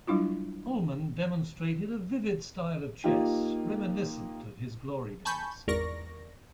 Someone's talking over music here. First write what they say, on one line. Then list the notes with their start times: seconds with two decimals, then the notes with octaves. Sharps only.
Uhlmann demonstrated a vivid style of chess reminiscent of his glory days.
0.07 F#3 G3 D4 E4 F4
3.04 A#3 D#4 F4 G4
5.25 G#5 A5 B5 C#6 G6
5.67 G#1 E2 A#4 D5 C#6 A#6